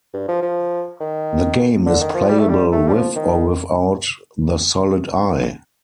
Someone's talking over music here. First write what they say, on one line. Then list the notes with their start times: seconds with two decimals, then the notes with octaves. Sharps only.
The game is playable with or without the Solid Eye.
0.14 G2
0.28 F3
0.42 F3
1.00 D#3
1.86 D3
2.01 D#3
2.14 F3
2.29 G3
2.39 A3
2.49 G3
2.72 A3
2.88 G3
2.94 F3
3.16 D#3